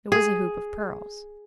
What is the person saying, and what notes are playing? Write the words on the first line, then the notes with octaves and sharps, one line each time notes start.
It was a hoop of pearls.
G#4